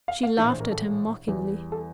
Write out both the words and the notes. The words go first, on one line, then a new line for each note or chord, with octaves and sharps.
She laughed at him mockingly.
F5
F5
A#1 A2 E3 E5
C5
A#4
A4
E2 E3 G3
A4